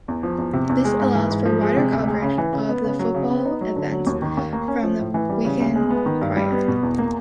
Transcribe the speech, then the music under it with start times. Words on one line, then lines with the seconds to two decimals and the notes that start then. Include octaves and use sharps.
This allowed for wider coverage of the football events from the weekend prior.
0.08 E2
0.23 F3
0.38 E2
0.53 C3
0.69 E2
0.84 G#3
1.00 G#2
1.15 E3
1.31 G#2
1.46 F3
1.61 G#3
1.77 C3
1.92 D2
2.07 G#3
2.22 C#3
2.38 E3
2.53 C#3
2.69 B3
2.84 C#3
2.99 F#3
3.14 C#3
3.31 B3
3.45 D#4
3.61 F#3
3.76 D3
3.92 F#3
4.07 D#2
4.22 D#3
4.37 D#2
4.53 A#3
4.68 C#4
4.83 F3
4.99 A2
5.14 E3
5.30 G3
5.45 C#3
5.60 D2
5.75 G#3
5.90 B3
6.06 D#3
6.21 G2
6.36 G3
6.52 B3
6.68 B2
6.83 E2
6.98 A#3